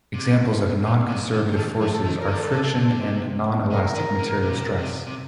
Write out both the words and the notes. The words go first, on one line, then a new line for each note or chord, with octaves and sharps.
Examples of nonconservative forces are friction and non-elastic material stress.
C3
A#2
C3
D3
G4
D#3 A4
F3
A4
D#3
A#4
D3 A4
C3
A#2
D3
C3
C3 A#4
D#3
D3
C3
A#2
C3
C3
C3